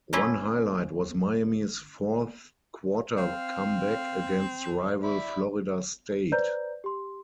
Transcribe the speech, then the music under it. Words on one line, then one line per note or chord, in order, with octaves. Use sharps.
One highlight was Miami's fourth quarter comeback against rival Florida State.
A3 A#3 C#4 E4 F4
C4 F5
D5 E5 B5
B4 C5 D5 A#5 G6
G4 C6